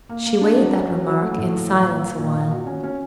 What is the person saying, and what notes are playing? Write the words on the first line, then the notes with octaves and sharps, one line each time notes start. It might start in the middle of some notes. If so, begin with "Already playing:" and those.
She weighed that remark in silence a while.
A#3
A#3
D4
F#3
C#4
F#3
F#3
A3
A2
F3
F3
A#3
A#3
A#2
A#2
F#4
C#4
C#4